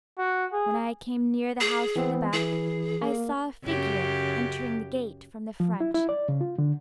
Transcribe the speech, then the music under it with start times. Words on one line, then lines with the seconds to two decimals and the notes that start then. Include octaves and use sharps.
When I came near the house from the back, I saw a figure entering the gate from the front.
0.18 F#4
0.52 G#4
1.60 G#4
1.96 E3 B3 C4
2.33 E3 G#4
3.01 A#3
3.64 F#2 C#3 G4
5.60 F3
5.80 E4
5.95 E4
6.09 D5
6.29 C#3
6.41 F4
6.58 D3